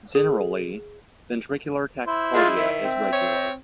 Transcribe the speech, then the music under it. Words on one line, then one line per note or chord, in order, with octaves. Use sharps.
Generally, ventricular tachycardia is regular.
G#4
E4 C5
G#3 F4
D#3 E5
C4
C#5